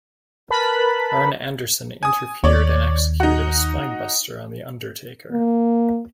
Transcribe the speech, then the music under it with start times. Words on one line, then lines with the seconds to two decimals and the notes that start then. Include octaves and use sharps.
Arn Anderson interfered and executed a spinebuster on The Undertaker.
0.50 A#4 B4 A5 B5
2.03 G#5 D#6
2.44 D#2 C#5 D5
3.20 D#4 F#4
5.32 A#3